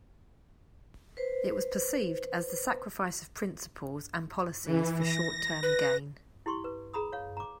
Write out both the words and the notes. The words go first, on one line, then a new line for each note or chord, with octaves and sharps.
It was perceived as the sacrifice of principles and policies for short term gain.
B4 C5
E3
A#6
B4
E4 G4 C6 C#6
B4
G#4 A#5 B5 D#6
C#5 F5
A#5 D6